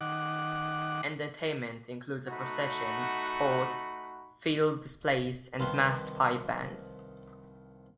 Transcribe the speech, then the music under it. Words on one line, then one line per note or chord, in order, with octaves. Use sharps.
Entertainment includes a procession, sports, field displays and massed pipe bands.
D#3 F#5 D6
A3 D#4 F#4 F#5 B5
C2 D#3 F3 B4 B5 C6